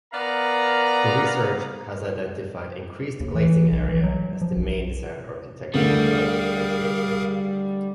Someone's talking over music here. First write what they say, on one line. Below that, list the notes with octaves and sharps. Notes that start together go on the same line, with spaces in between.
The research has identified increased glazing area as the main desired architectural product differentiation.
B3 A#4 D5 F5 A#5
D#2
E3
B1
E3
F#3
F3
B1
D2 D3 G3 A3 G#4 A#4 F5